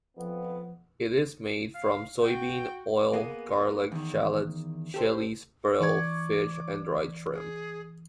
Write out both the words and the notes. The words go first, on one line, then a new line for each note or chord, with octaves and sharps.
It is made from soybean oil, garlic, shallots, chilies, brill fish and dried shrimp.
F2 F3 B3
F5
F#4 G5
A#3 B3 G#4
E2 D#3
G4 A4 C5
E3 D5 C#6 D6 G#6
G#4